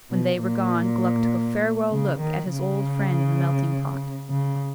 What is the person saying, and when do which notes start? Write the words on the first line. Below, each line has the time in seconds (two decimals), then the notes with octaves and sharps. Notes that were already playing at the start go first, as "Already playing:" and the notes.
When they were gone, Gluck took a farewell look at his old friend in the melting-pot.
0.11 B2
0.41 A#2
1.91 C#3
2.20 D#3
2.51 C#3
4.31 C#3